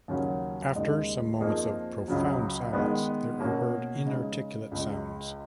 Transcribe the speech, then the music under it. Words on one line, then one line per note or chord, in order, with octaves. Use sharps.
After some moments of profound silence there are heard inarticulate sounds.
D#2 C#3 F#3 C#4 F#4
D#2 C#3 G#3 D#4
F2 F3 A#3 D#4 G#4
C#2 C#3 F#3
D#3 G#3 B3
B2 A#3 C#4 F#4
C#3 G#3 D#4
C#2 C#3 G#3